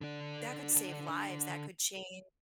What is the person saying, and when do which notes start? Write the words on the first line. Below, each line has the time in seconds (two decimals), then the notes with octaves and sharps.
that could save lives, that could change
0.01 D3 D4